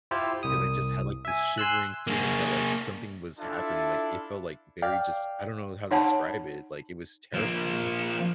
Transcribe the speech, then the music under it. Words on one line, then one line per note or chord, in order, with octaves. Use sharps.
'cause I just had, like, this shivering feeling that, like, something was happening, like, it felt, like, very just I don't know how to describe it. Like, it was terrifying.
E4 F4 G4 C5
C2 D#6
E5 G#5
G#5 C6 E6 F#6
A#3 G#4
D4 E4 F4 A4 E5
D5 F5 G5
D#4 C#5 F#5 A5 B5
F3 A#3